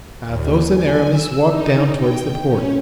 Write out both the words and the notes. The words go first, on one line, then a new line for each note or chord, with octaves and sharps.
Athos and Aramis walked down toward the port.
D#2
G#5
E6
D#4
G5
C#4